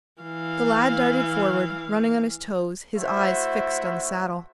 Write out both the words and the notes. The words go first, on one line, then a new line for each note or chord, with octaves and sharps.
The lad darted forward, running on his toes, his eyes fixed on the saddle.
E3 F5
A3 E4 F#4 C5 E5